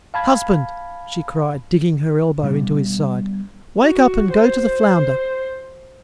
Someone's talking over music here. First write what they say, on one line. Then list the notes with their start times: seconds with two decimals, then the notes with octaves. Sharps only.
Husband!" she cried, digging her elbow into his side, "wake up and go to the flounder.
0.14 F5 A5 B5 G#6
2.43 B2 G3 B3 D4
3.81 F#4
4.32 C5